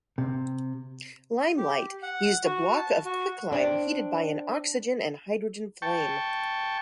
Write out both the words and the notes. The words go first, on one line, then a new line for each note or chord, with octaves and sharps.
Limelight used a block of quicklime heated by an oxygen and hydrogen flame.
C3
G4
F#5
F#4
A5
F#4
C4 D4
G5 A5 C#6